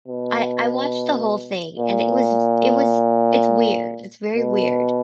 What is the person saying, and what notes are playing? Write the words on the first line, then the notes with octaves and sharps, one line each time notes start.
I I watched the whole thing and it was it was it's weird, it's very weird,
B2
A#2
B2